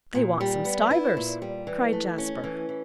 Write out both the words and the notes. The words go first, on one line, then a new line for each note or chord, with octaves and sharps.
"They want some stuivers," cried Jasper.
A#2
G3
B3
E4
A#2
G3
E3
A3
C#4
E3
E3